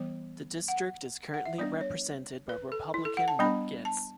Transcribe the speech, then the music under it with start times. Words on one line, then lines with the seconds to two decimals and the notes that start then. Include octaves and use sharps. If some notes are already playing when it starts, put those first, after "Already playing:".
The district is currently represented by Republican Matt Gaetz.
Already playing: E3 G3 B3
0.68 F#5
1.34 F#5
1.46 E5
1.58 G3 B3 D4 D5
1.81 C#5
2.49 B4
2.72 A4
2.94 E4
3.05 A4
3.17 F#5
3.28 A5
3.39 G3 B3 D4 B5
3.85 A5